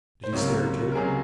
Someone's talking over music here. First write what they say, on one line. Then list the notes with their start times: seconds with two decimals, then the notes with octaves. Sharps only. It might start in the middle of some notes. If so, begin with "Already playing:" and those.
"Did he stare too?"
0.24 C5
0.32 C#2 C3 F#3 A#3 C#5
0.92 A#4
0.95 C#2 C3 F#3 A#3 G#4